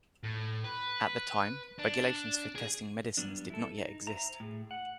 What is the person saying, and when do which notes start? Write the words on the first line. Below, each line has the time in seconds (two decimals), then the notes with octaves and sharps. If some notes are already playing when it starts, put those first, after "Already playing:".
At the time, regulations for testing medicines did not yet exist.
0.24 A2
0.65 B4
1.79 D4
2.55 G#4
3.17 G2 F#3 G3 B3 D4
3.50 E4 A4
3.78 D#4
4.07 C5 E5 A#5
4.40 A2 G#4
4.71 F#5